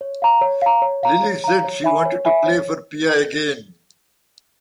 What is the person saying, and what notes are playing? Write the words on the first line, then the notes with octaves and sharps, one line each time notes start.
Lilly said she wanted to play for Pia again.
C#5
F5 A#5
C#5
F5 A#5
C#5
F5 A#5
C#5
F5 A#5
C#5
E5 G#5 B5
C#5
E5 G#5 B5
C#5